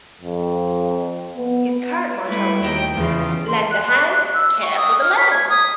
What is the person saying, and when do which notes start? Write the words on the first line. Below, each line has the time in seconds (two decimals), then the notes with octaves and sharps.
His current motto is Lend a hand - care for the land!
0.21 F2
1.37 B3
2.26 G3 A3 E4 B4
2.61 D#2 G5 A#6
2.95 E2 C#3 F4
3.48 C6
3.71 F#6
3.88 F#6
4.12 F#6
4.34 E6
4.62 C#6
4.77 D#6
5.01 F6
5.17 B6
5.31 G#6
5.50 D#6